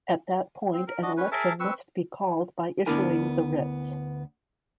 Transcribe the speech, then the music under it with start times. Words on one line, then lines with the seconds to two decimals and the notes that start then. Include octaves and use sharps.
At that point, an election must be called by issuing the writs.
0.73 C4
0.87 A#4
1.02 D4 F#4 D#5
1.17 C#4 B4
1.32 G#4 A#4 E5 A5
1.60 C4 B4 C#6 E6
2.86 D2 B3 D4 E4 A#4 G#5